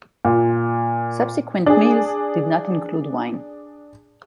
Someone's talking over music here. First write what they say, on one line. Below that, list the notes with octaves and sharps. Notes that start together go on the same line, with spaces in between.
Subsequent meals did not include wine.
A#2
D4 G#4